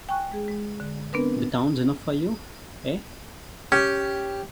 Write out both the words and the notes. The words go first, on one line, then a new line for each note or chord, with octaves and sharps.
The town's enough for you, eh?
G5 G#5 C#6 F#6
G#3 G#4
G#3
D3
B3 C4 D4 A#4 B4
C#4 G4